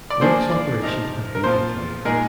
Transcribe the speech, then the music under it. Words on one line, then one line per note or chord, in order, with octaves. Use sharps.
Works operation had been outlined.
D5
F3 A#3 D4 G#4 C5
D5
C3 F3 C4 D#4 A#4
A#4
A#2 F3 C4 F4 C5
A#2 G#3 D#4 G#4 A#4